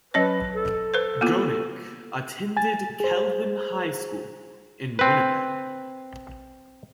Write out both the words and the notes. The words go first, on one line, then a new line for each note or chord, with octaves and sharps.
Gonick attended Kelvin high school in Winnipeg.
F#3 C#4 B4 C#5
A4
B4 C5
A#3 B3 F4
G#5 A6
G#4 C5
C4 B4